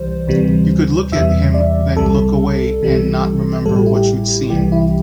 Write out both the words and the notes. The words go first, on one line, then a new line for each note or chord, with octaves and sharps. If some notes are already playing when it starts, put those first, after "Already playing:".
You could look at him then look away and not remember what you'd seen.
Already playing: C2 E3 G3 C5
D2 C3 E3 G3
E2 C3 E3 G3 E5
D5
C2 C3 G3 A4
C2 C3 E3 G3
A1 A2 G3 A4
G4
E4
G4
C2 C3 E3 G3 G4
E4